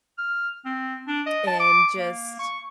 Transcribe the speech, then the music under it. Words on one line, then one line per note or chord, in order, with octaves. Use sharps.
and just
F6
C4
D4
D#5
A5
D6
A#3
C#6